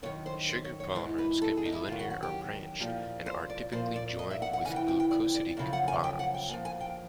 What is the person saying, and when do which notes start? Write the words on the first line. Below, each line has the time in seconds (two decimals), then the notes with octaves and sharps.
Sugar polymers can be linear or branched and are typically joined with glycosidic bonds.
0.03 F#2 D#3 C#5
0.26 C5
0.49 C5
0.64 C#5
0.80 C#5
0.95 G#2 E3 C5
1.18 B4
1.42 A4
1.57 G#4
1.65 D#4
1.72 E4
1.88 D#3 F4
1.92 F#2
1.99 F#4
2.10 F#4
2.23 G4
2.80 A#2 F3 G4
3.26 C5
3.50 D5
3.72 A#2 F3 C5
3.96 D5
4.19 D#5
4.31 E5
4.42 F#5
4.53 F#5
4.65 F2 C#3 E3 G#5
4.76 G5
4.88 G5
5.00 G5
5.11 D5
5.34 D5
5.57 F#2 C#3 F3 E5
5.73 F#5
5.88 G#5
6.04 G5
6.19 F#5
6.34 G5
6.49 A#2 F3 G#5
6.65 G#5
6.81 G5